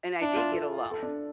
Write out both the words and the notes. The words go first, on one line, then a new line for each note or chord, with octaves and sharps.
and I did get a loan
D4 E4
F4
A4
A4
D4